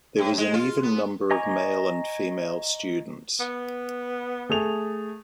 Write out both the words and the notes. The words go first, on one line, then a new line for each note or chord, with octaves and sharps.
There was an even number of male and female students.
A2
G#3
F4
B3
D#5 G#5 A#5 C#6 D6
B3
A3 G#4 F7